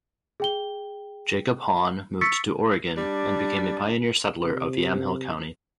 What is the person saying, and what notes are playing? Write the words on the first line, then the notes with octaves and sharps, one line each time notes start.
Jacob Hawn moved to Oregon and became a pioneer settler of Yamhill County.
G#4 G5 G7
C#6 E6 A6 B6 C#7
G3 D4
C3